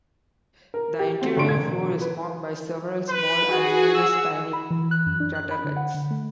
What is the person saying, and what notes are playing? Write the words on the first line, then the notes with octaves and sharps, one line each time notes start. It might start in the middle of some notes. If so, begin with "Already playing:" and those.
The interior floor is marked by several small and numerous tiny craterlets.
A#4
G4
C4 F#4
G1 C#3 D4 C6 D7
E1 G#6
B4
B4
F#4 G#4
E6
B5
E3
F#6
F#2
D4
F#6
B5
D3
F#5
D3
A3